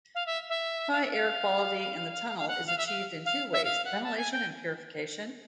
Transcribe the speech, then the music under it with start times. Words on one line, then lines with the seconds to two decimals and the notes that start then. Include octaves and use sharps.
High air quality in the tunnel is achieved in two ways: ventilation and purification.
0.15 F5
0.26 E5
0.49 E5
0.92 F5
1.02 E5
1.11 F5
2.38 F5
2.48 F#5
2.67 F5
2.78 E5
2.87 F5
3.25 F5
3.53 E5
3.64 F5
3.85 F#5
4.04 A5
4.17 G#5
4.32 G5